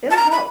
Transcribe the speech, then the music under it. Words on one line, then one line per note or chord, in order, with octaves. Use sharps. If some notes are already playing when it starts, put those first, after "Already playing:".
It'll help.
A5
A#5
B5